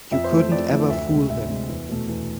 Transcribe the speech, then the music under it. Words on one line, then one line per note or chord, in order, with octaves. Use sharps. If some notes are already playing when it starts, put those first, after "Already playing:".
You couldn't ever fool him.
F2 E5
C5
E3 A3
C5
F2 D5
E3 A3
D2 E5
C3 G#3
D2 E5
C3 G#3
E2
B2 A3
E2